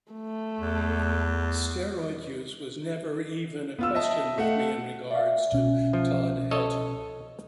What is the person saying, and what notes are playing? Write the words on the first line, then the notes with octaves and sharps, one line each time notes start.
Steroid use was never even a question with me in regards to Todd Helton.
A3
E2
B3 F4 E6
D#5 E5 A5
A3 F5 F#5
D5 E5 F5
C2 B2 C#4
F3
A4 C#5 D#5